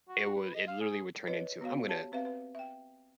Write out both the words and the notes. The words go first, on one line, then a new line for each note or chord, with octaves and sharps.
it would it, literally, would turn into "I'm gonna
F#4
B4
D#5
F5
G#4
B4 C#5 D#5
B3 F#4 C#5 F5
G4 C#5 A5
C4 B4 E5 F5
B4 F#5
E5 G5